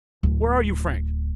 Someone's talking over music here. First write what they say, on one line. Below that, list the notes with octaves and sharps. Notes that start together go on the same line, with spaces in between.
Where are you, Frank?
D1